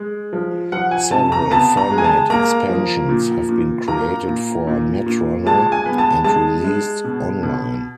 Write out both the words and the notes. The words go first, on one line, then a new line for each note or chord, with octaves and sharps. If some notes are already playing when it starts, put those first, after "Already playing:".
Several fan-made expansions have been created for Netrunner, and released online.
Already playing: G#3
F3
F3 F#5
G#5
C3 A5
A#5
B3 A5
A#5
G#3
G#5
A5
A#3 A#5
F3
A#2
A#2
A#3 A#5
A#2
A#2
A#2
G#3 A5
G#5
B3
A5
G#3 A5
G#3
B2
B2